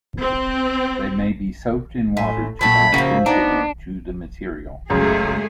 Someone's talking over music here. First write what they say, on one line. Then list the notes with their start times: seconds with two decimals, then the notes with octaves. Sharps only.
They may be soaked in water to add density to the material.
0.21 C4
2.17 A2 E5 G#5 C6
2.61 A#2 F#3 A3 A4 G5 B5
2.94 C#3 F3 A#3 C#4 F#4 E5
3.26 B3 D4 D#4 F#4 D5 A#5
4.90 C#2 F#2 G#3 A3 G#4